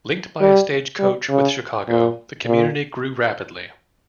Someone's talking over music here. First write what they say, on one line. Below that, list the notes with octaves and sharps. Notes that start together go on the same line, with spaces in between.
Linked by a stagecoach with Chicago, the community grew rapidly.
G3
G3
C#3
A#2
A#2